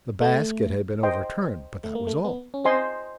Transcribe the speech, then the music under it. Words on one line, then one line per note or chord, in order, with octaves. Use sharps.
The basket had been overturned, but that was all.
A3
C5 D#5 G5 C6
A3
A#3
A3
B3
C#4
C4 C5 D#5 G#5 C6